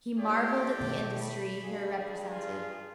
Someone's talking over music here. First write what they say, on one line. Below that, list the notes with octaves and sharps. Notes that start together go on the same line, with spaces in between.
He marvelled at the industry here represented.
A2 G4 D5
B2 D#3 A3
B5
G2 G#4
F4